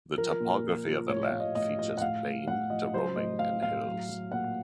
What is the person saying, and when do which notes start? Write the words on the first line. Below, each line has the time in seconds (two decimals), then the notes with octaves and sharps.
The topography of the land features plain to rolling and hills.
0.18 F3 A#4
0.40 A#2
0.64 F3
0.87 F3
1.09 A2 C#5
1.26 F5
1.32 A2
1.40 D#5
1.55 A2 D#5
1.78 F3 D#5
1.98 F#5
2.01 A2 F5
2.25 A2
2.47 A2 F#5
2.70 F3 D#5
2.93 F#3 C5
3.16 A2 D#5
3.39 A2 F5
3.63 A2 F5
3.86 F#3
4.09 F#3
4.32 A#2 F#5